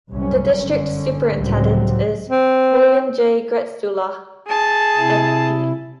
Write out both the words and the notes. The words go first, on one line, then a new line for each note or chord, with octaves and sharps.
The district Superintendent is William J. Gretzula, Ed.D.
C2 F#2 C3 C#4
G1 D3 C#4
C#2 A2 D3 F#3 G3 C4
C4
G#4 A5
C3 E4